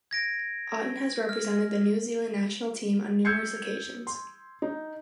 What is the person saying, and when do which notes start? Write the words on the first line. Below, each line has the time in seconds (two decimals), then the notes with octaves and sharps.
Oughton has represented the New Zealand national team, on numerous occasions.
0.11 G#6 A#6 D7
1.29 F6
3.25 E6 G6 G#6 C7 C#7
4.07 C6
4.62 D#4